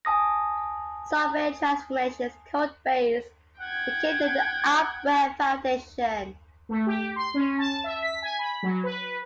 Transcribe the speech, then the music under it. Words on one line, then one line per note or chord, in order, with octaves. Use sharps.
Software Transformations' code base became the AppWare Foundation.
G#5 A5 D#6 A#6
F#5 G5 G#6
A3
G4
C6
C#4
A5
E5
B6
G#5
B5
F#3
B4